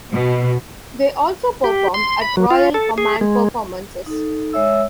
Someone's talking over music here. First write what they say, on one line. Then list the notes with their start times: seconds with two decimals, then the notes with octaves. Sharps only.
They also performed at Royal Command Performances.
0.12 B2
1.64 G4
1.94 C6
2.21 B5
2.37 F#3
2.51 F4
2.74 A4
2.98 G#4
3.21 G#3
4.06 D#4 A4
4.53 G#3 C#5 E5 E6